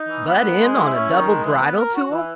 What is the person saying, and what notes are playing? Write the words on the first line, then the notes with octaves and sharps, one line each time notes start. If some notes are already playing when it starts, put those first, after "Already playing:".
Butt in on a double bridal tour?
Already playing: D#4
E3
B3
D#3
G#3
E4
C#4
D#3
G#3
E3
B3
A#4
F#4
E3